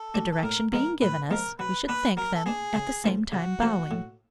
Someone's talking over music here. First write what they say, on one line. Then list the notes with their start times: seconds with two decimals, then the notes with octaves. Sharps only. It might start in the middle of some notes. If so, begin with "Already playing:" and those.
The direction being given us, we should thank them, at the same time bowing.
Already playing: A4
0.14 A3 D4 F#4
0.31 A4
0.43 A2 A#4
0.72 F3 G#3 B3 A#4
1.01 A2 B4
1.30 F3 G#3 B3 A#4
1.59 F#3 B4
1.88 B3 D4 B4
2.17 F#3 A#4
2.35 A4
2.46 B3 D4 G#4
2.75 C#3
3.04 F3 A3 C#4 F4
3.32 C#3 F#4
3.61 F3 A3 C#4 F4
3.91 A2